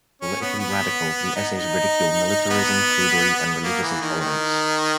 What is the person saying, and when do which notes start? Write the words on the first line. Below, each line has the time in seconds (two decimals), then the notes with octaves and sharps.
Politically radical, the essays ridicule militarism, prudery, and religious intolerance.
0.21 C#4
0.41 B3
0.59 B3
1.36 D#4
1.57 D#4
2.50 B3
3.63 A#3
3.83 E3
4.01 D#3
4.20 D#3